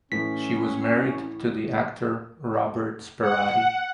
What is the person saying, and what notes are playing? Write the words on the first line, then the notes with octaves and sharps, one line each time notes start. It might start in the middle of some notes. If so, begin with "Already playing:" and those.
She was married to the actor Robert Sperati.
A2 E3 C#4 B6
F#5